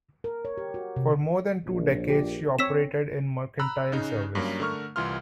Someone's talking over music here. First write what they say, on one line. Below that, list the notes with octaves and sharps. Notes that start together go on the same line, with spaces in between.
For more than two decades, she operated in mercantile service.
A#4
C#5
G4
F#4
C3
A#1
G4
C4 C#5 E6 B6 E7
A#5 B5 E6 F#6
C#3 C#4 D#4
G2 F#3 A#3 C#4
D3 A3 A#4 C#6 F6
C2 E3 F4 C6 F6